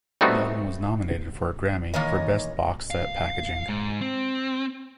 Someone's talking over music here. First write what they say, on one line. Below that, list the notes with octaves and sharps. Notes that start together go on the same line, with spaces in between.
The album was nominated for a Grammy for Best Boxed Set Packaging.
G3 A3 B3 C4 D#4 F#4
D#3 E3 A#3 C#5 D#5
F5
G#2
C4